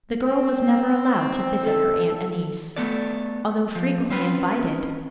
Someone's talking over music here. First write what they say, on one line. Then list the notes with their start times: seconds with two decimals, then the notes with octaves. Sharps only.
The girl was never allowed to visit her Aunt Annice, although frequently invited.
0.24 C4
1.64 A4
2.76 A3 B3 A4 D5
3.75 F3
4.10 C4 C#4 B4